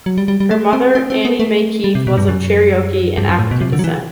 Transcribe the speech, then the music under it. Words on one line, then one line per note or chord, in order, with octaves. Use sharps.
Her mother Annie Mae Keith was of Cherokee and African descent.
F#3
G3
G3
G3
A3
C4
C4
C4
B3
A3
G3
C3
B2
G2
F#2
G2
F#2
A2
B2
C3
D3
F#3
E3